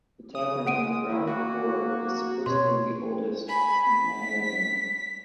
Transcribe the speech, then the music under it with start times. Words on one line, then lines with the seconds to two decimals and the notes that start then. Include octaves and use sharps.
The tavern in the ground floor is supposedly the oldest in Nyhavn.
0.35 C#3 D#6
0.67 G#3 F#5 D7 D#7
1.10 D#3 E4
1.27 A#3 F#4
2.46 B2 C#5 C6
3.48 G#5 B5
3.86 B6